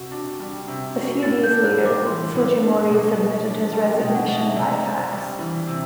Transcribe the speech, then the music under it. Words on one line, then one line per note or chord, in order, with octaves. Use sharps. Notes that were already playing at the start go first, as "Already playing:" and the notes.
A few days later, Fujimori submitted his resignation by fax.
Already playing: C3 F#4
D4
G3
C3
F#4
A2 A6
G6
D4
F#6
G3
D6
E3 C6
A2
D4
B2
B2
D4
G3 A5
G5
B2
F#5
B2
E5
C3 D5
C4
G3
E3
C3